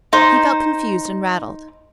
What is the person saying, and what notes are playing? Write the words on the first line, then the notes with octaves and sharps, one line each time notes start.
He felt confused and rattled.
D#4 C5